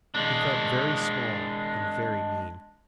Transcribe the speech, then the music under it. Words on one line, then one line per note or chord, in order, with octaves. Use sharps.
He felt very small and very mean.
G#3 D4